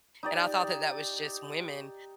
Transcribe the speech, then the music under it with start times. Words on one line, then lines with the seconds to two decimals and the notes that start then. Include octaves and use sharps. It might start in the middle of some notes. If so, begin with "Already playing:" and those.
and I thought that that was just women,
0.23 D#4 G4 D5